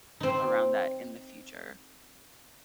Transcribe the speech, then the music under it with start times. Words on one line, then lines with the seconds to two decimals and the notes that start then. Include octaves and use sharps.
around that in the future.
0.20 C4 D#4